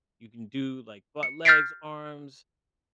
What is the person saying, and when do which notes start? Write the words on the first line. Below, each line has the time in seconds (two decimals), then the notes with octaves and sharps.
you can do, like, butt, legs, arms,
1.23 C#7
1.45 F6 G6 A6 B6 C7 D7